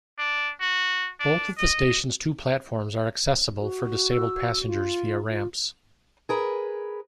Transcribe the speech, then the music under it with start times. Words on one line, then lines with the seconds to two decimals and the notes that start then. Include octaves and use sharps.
Both of the station's two platforms are accessible for disabled passengers via ramps.
0.18 D4
0.61 F#4
1.20 D4
1.58 D#5
3.61 F#4
4.12 E6
4.66 F4
5.29 F4
6.29 G#4 A#4 B4